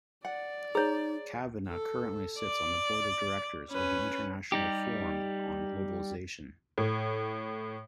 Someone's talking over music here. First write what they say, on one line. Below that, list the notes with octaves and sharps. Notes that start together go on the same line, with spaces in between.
Cavanagh currently sits on the board of directors of the International Forum on Globalization.
D5 F#5
D#4 G#4 C#5 A#5
A4
D5
C#4 B4
G3 D#4 G4
A2